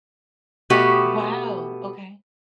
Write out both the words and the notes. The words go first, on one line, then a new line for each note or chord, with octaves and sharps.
Wow, okay.
B2 A3 B3 F#4 G4